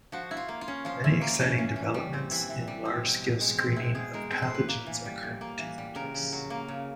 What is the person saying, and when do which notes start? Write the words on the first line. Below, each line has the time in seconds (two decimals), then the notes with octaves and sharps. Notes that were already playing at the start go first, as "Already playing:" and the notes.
Many exciting developments in large-scale screening of pathogens are currently taking place.
0.12 F3 F#4
0.31 E4
0.37 F4
0.49 A#3
0.61 F4
0.68 C#4
0.85 F3 F4
1.04 E4
1.21 A#3
1.41 C#4
1.58 E3
1.76 E3
1.94 G3
2.13 C4
2.31 E3 E4
2.50 E3
2.67 G3
2.85 C4
3.05 B2
3.22 B2
3.40 G#3
3.58 C4
3.76 B2 E4
3.95 B2 G#4
4.13 G#3 A#4
4.31 C4 B4
4.42 C5
4.50 A2 B4
4.68 A#3
4.86 E3
5.05 G3
5.23 A2
5.41 A#3
5.59 E3
5.78 G3
5.95 C#3 A#4
6.14 C#3
6.32 F#3
6.50 A#3
6.68 C#3